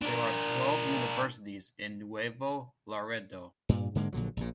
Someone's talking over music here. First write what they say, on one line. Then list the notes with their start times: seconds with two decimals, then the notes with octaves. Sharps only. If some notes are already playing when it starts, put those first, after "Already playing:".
There are twelve universities in Nuevo Laredo.
0.02 D4 A#4
3.69 G2 A#2
3.95 G#2 D3 G#3 A#3
4.13 A#1 A#2 D3 F#3
4.37 A#1 A#2